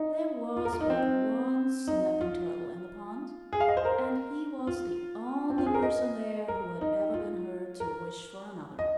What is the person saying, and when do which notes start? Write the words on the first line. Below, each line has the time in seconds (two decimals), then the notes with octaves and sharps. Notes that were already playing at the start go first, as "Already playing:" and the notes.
There was but one Snapping Turtle in the pond, and he was the only person there who had ever been heard to wish for another.
Already playing: D#4
0.57 F4
0.65 A#4
0.73 F4
0.81 D#4
0.90 C4
1.88 D#4
2.21 F4
3.53 G#4
3.60 F5
3.68 D#5
3.77 C5
3.85 A#4
4.67 F4
5.50 C4
5.58 F4
5.66 G#4
5.74 A#4
5.83 D#5
6.48 A#4
6.81 D#4
7.14 F4
7.80 A#4
8.79 D#5